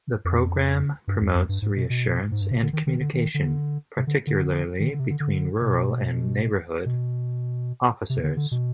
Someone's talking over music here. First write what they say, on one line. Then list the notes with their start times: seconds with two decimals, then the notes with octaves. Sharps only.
The programme promotes reassurance and communication, particularly between rural and neighbourhood officers.
0.25 F2
1.08 G2
1.21 F2
1.35 F2
1.49 G2
1.62 G#2
1.77 B2
1.90 B2
2.32 G#2
2.41 G2
2.51 C3
2.62 D3
2.73 D#3
2.87 D#3
3.00 D3
3.13 D#3
3.34 D3
3.97 C3
4.07 D3
4.27 D3
4.80 D#3
4.90 D3
5.00 C3
5.10 D3
5.20 D3
5.62 B2
6.86 B2
8.10 C3
8.23 D3
8.37 D3
8.51 B2